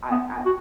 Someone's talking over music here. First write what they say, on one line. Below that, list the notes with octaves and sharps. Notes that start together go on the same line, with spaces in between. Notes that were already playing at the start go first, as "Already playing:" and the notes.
I I
B3
F#4